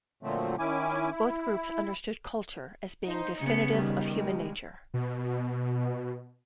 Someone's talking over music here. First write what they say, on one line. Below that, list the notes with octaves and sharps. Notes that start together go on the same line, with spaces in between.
Both groups understood culture as being definitive of human nature.
A#2 D3 F3 F#3 A3 C4
D#3 C#4 E4 G#5 D6
E4
D#4 C5
C#3 B3 C#7
D#3 G3
G#3
B2